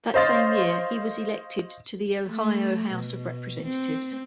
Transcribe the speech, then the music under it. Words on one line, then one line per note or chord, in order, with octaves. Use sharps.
That same year, he was elected to the Ohio House of Representatives.
C5 C#5 D#5 F5 C6 A6
A3
B2
C4